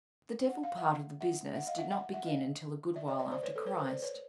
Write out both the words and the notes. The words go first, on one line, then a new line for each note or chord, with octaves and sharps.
The devil part of the business did not begin until a good while after Christ.
F#5
F5
E5 F#5
E5 F#5
E5 F#5
D#5 F5
E5 F#5
E5 F#5
E5 F#5
D#5 F5
D5 E5
C#5 D#5
D5 E5
C5 D5
B4 C#5
A4 B4
B4 C#5
A#4 C5
C5 D5
B4 C#5